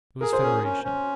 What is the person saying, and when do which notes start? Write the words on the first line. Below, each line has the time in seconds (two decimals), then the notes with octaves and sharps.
It was Federation.
0.21 G#4 A#4
0.33 C5
0.42 C#4 A#4
0.64 C#4
0.84 C#4